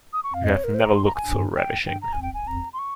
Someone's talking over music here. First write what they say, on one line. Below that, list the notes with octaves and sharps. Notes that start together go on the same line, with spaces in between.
You have never looked so ravishing.
D#6
C#6
F2 F5
D#5
C#5
A#4
C5
A#5
G2 C6
A#5
G#5
G2
G5
G2 G5
A#5
F2 G#5
G5
G#5
F2 A#5
C6
C#6